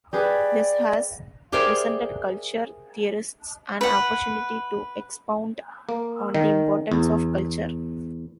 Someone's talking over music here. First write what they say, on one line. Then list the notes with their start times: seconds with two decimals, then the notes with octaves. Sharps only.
This has presented culture theorists an opportunity to expound on the importance of culture.
0.13 G4 G#4 B4 D5
1.52 G4 G#4 A#4 C5 D5 E5
3.81 B4 F#5
5.89 A#3
6.35 D#3
6.92 E2